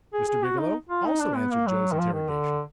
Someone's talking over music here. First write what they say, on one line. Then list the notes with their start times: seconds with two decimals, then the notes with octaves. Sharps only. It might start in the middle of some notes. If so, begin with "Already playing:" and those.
Mr. Biggielow also answered Joe's interrogation.
0.13 G#4
0.28 G#4
0.44 F#4
0.59 D#4
0.90 F4
1.05 D#4
1.21 D4
1.36 B3
1.51 A#3
1.67 F#3
1.92 D#3
1.98 F3
2.13 D#3
2.29 D3